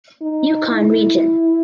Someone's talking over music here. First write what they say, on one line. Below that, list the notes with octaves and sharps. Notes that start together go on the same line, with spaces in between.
Yukon region.
D#4
E4